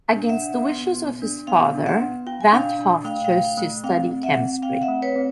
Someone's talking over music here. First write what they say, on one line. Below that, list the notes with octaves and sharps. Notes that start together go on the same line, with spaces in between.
Against the wishes of his father, Van 't Hoff chose to study chemistry.
D4
E5 F#5
D4
B3
B3
D4
B3 F5 G5
D4
E5 F#5
B3
F4 G5
G#5
D4 F5 G5
D4
A3 F5 G5
F5 G5
A3
F5 G5
A3
C4 F5 G5
C4
E5 F#5
C4
C4 F5 G5
E5 F#5
A3
B4 C#5
C4